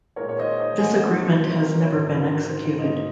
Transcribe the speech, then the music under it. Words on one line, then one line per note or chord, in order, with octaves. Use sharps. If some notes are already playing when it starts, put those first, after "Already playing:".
This agreement has never been executed.
A#2 G#3 A#4 C#5
C#5
C5 D#5
C5 D#5
G#5
D#5 F#5
C3 D#3 F#3 A#3 C5
C5
A#4
C#5
G#2 D#3 F#3 C5
A#4
C5
G#2 F#3 A#3 C5 D#5